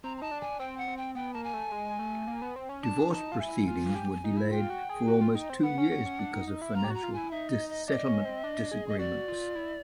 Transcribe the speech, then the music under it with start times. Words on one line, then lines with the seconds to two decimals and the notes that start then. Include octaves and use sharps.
Divorce proceedings were delayed for almost two years because of financial settlement disagreements.
0.04 C4 A#5
0.17 A#5
0.22 D#4 A5
0.31 D4
0.41 G#5
0.59 C4 G5
0.78 F#5
0.88 C4
0.97 G5
1.15 B3 G5
1.33 A#3 A5
1.44 G#5
1.53 A3
1.72 G#3
1.99 A3
2.27 A#3
2.42 B3
2.56 C4
2.69 C#4
2.83 D4 A5
3.12 D#4 A5
3.32 F4
3.39 E4 G#5
3.68 F4
3.95 G4
4.24 D#4
4.37 E4
4.51 F4 G5
4.70 F#4
4.89 G#4
5.07 F#4
5.21 F4
5.35 D#4
5.50 C4
5.63 B3 F#5
5.78 C#4
5.91 C#4
6.06 C#4
6.19 D4
6.34 D#4
6.47 D#4
6.62 E4
6.75 F4 A#5
6.84 G4
6.90 F#4 A#5
7.03 F4
7.13 E4 G#5
7.31 D#4 E5
7.50 D#5
7.69 D#5
7.87 D4 D#5
8.06 C#4
8.25 C4
8.44 D4
8.72 G#4
8.88 D#5
8.99 F#4 D5
9.28 F4
9.55 E4